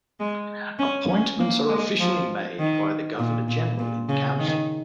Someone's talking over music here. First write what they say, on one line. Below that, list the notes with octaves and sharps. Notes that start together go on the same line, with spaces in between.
Appointments are officially made by the Governor-General in Council.
G#3
C#4
C#4
A#3
G#3
F3
D#3
A#2
A#2
A#2
C#3
D#3